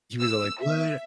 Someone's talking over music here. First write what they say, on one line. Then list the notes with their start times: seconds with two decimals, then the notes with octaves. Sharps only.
he was all, like, "what?"
0.21 E6
0.62 E5